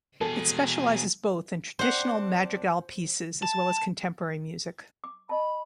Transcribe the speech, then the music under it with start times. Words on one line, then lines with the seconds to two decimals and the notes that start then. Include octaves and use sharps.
It specializes both in traditional madrigal pieces as well as contemporary music.
0.21 B2 G#4 A4
1.79 C4 D4 C5 F#5
3.42 A5
5.04 D6
5.29 D#5 A5 B5